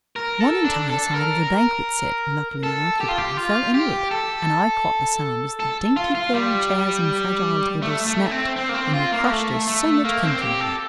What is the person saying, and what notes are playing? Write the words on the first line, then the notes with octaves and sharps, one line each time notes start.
One entire side of the banquet set, luckily unoccupied, fell inward and I caught the sound as the dainty gold chairs and fragile tables snapped and were crushed as so much kindling wood.
A#4
A4
D4
A4
A#4
A4
G4
F4
G4
F4
G4
A4
A4
F4
F4
G3
A3
A3
C4
C4
A#3
C4
F4
A#3
A3
A3
A#3
C4
G4
A4